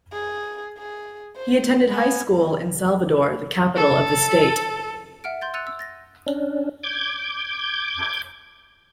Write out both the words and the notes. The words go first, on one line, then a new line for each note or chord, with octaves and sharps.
He attended high school in Salvador, the capital of the state.
G#4
G#4
C5
B3 G#5
A4
E5 F#5 F6 D7
C6 G6 A6
E6 F#6 A6 C#7 D#7 F7
E6
A6 A#6
C#4 D4
D6 G6 G#6